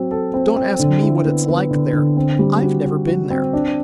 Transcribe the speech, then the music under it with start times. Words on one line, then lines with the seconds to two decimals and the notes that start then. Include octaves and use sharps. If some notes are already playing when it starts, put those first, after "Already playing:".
Don't ask me what it's like there. I've never been there.
Already playing: F#3 C4
0.11 A4
0.34 C4
0.56 C4
0.79 D3
1.02 E4
1.25 B3
1.48 B3
1.71 D3
1.93 D3
2.17 C4
2.39 G3
2.61 F#4
2.85 F#4
3.07 F#4
3.30 C4
3.53 D4